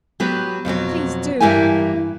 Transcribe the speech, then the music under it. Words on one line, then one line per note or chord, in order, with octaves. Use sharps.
Please do.
F#3 B3 G4 B4
F2 B2 F3 F#3
G2 E3 A#3 E4 G4 G#5